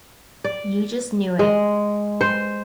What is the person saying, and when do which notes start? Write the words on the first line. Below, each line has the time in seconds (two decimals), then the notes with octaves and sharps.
You just knew it.
0.44 D5
1.39 G#3
2.21 C5